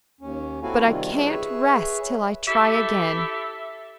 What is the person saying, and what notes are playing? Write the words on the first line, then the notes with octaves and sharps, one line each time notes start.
"But I can't rest till I try again."
D#2 C#4
C4 E4 F#4 A4 F5 G#5
C3 D#3 G3 F4
G#4 B4 C#5 E5
E4 G4 A4 E5